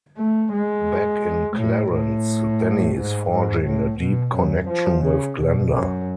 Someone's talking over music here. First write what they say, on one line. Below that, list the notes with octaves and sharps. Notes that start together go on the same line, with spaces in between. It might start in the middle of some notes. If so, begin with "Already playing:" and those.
Back in Clarence, Danny is forging a deep connection with Glenda.
A3
G#3
A2
A2
G#2
G#2
A2
B2
F#2
F3
C#3
B2
F#2